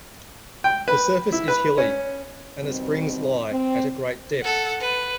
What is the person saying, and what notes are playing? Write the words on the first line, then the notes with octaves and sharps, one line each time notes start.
The surface is hilly, and the springs lie at a great depth.
G5
B4
E4
B4
C#4
B2 D#3 G3 C4
C4
A4 F#5
B4